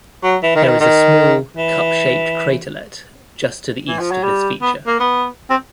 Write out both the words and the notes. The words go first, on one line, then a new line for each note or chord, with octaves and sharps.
There is a small, cup-shaped craterlet just to the east of this feature.
F#3
E3
D#3
E3
D#3
D#3
E3
E3
F3
F#3
G3
B3
A#3
B3
C4